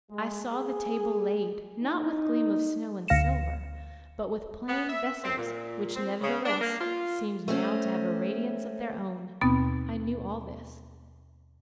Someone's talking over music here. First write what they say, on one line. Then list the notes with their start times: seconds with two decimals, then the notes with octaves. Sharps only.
I saw the table laid, not with gleam of snow and silver, but with plain vessels which, nevertheless, seemed now to have a radiance of their own. I knew all this.
0.11 G#3
0.53 G#4
1.82 D#4
3.08 D2 F5 A#6 C#7 E7
4.68 B3
4.88 E5
5.23 C4
5.37 A#2
5.96 C4
6.21 C#3
6.45 D4
6.60 A#3
6.80 F4
7.48 A3 C4 C#4
9.41 D#2 B2 B3 C4 A6